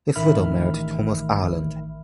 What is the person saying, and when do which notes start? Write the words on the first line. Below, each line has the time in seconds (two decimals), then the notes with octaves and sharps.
His widow married Thomas Ireland.
0.15 A1 D#3 E5 B5 F6